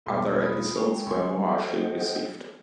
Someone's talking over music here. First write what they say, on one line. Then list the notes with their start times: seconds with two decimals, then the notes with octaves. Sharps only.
Other episodes were more harshly received.
0.06 E1 B1 C6
0.39 F4 B5 D#6
0.76 G#3 C#4 G5 C#6
1.06 C#2 C#5 G#5 C6 C#6
1.48 F#4 A4 C5 D#5 F#5 G5